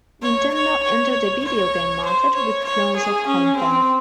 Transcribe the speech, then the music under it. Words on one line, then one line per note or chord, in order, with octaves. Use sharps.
Nintendo entered the video game market with clones of "Home Pong".
C#5
C#5
C#5
C#5
C5
C#5
C#5
G#4
C#4
C4